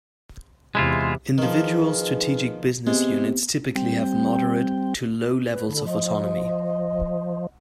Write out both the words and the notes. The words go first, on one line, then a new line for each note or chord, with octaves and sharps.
Individual strategic business units typically have moderate to low levels of autonomy.
E2 C3 G#3 E4 F4
D#3 F3 D#4 G#4 B4
C3 G#3 B3
G3 C4 G5
B4
D3 B5
F3 D#5